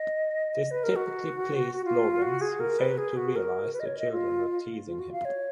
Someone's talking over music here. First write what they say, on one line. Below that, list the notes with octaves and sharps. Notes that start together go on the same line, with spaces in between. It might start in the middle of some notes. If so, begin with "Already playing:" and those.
This typically pleased Lawrence who failed to realize the children were teasing him.
Already playing: D#5
B4
A#4
F#4
F4
F#4
G#4
A#4
B4
G#4
F#4
A#4
B4
D#5
C#5
D#5
F4
F4
F#4
F5
C#5